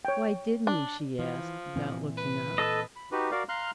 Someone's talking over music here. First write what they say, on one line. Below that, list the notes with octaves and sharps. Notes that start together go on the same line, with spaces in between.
"Why didn't you?" she asked, without looking up.
C#5 G5
D4
E3 F3
A#2 E3 C4
B4
A4 D#5
B5
D#4 F#4 G4 B4
F#4 A#4 D5 F5
F5 A#5 C6 F6 F#6